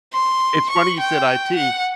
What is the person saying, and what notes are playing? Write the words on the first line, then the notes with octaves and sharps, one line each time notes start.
It's funny you said IT.
C6
C#6
G5
F#5